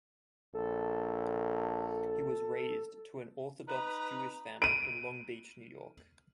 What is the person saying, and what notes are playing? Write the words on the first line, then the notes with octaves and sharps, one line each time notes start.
He was raised to an Orthodox Jewish family in Long Beach, New York.
A#1 A4
D#4 B4 A#5
D7 D#7